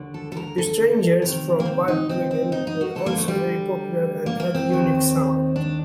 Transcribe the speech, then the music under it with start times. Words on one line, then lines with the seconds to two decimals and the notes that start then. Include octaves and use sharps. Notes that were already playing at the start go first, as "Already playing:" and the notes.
The Strangers from Balbriggan were also very popular and had a unique sound.
Already playing: D#2 D3
0.14 A4
0.32 A4
0.37 A#4
0.58 A4
1.22 D2 C3 D#3 A#4
1.60 A#3
1.65 C4
1.88 D#4
2.09 C4
2.31 C4
2.52 D#4
2.67 D#4
2.81 F#4
2.95 D2 D3 A4
3.06 A#3
3.18 A3
3.28 G3
4.26 A#3
4.40 A#3
4.55 C4
4.69 D#2 D#3
5.56 D4